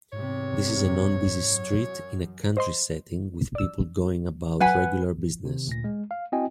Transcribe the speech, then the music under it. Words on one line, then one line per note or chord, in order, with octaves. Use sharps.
This is a non busy street in a country setting with people going about regular business.
E2 G#2 C3 C#5
F#2
C5 D#5 C6
D5 E6
F#3 B4 F#5 G#5 B6
C3 D#3
D2 A#2 A#6
G#3
F5
C4 E4 F#4 D#5 G5 G#5